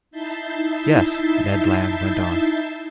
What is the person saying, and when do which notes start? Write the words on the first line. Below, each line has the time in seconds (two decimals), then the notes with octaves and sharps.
"Yes," Ned Land went on.
0.11 D#4 E4 E5 A5 G6 C7